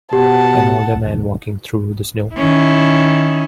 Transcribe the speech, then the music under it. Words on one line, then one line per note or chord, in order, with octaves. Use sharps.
An older man walking through the snow.
B2 G4 F#5 A5
D#3 C#4 E4